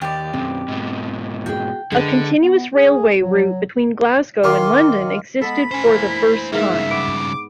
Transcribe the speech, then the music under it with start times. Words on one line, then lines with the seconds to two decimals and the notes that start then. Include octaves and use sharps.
A continuous railway route between Glasgow and London existed for the first time.
0.01 D#2 G4 D5
0.33 B1 F#2 C4
0.68 G#2 B2
1.46 F#4 G#4 G5
1.92 D3 G#3 B4
2.41 B3
2.74 G#4
3.21 F#3
4.44 D#3 F5 C6 D6
5.42 G#3 B3 A4 B5
5.71 C#4 C5 G#5
5.85 E3 A#3 D4 E4
6.53 G#2 E3 A#3 E5 F5
6.73 G2 C#3
6.91 B3 D6